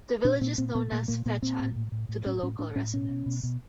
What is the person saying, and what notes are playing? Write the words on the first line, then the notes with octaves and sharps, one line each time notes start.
The village is known as "Fechan" to the local residents.
A#2 D4
A#2 C4
A#2 C4
A#2 B3
A#2 A#3
A#2 A#3
A#2 B3
A#2 C4
A2
A2
A2
A2
A2 C#4
A2 C#4
A2 D4
A2 C#4
B2 C#4
B2
B2
B2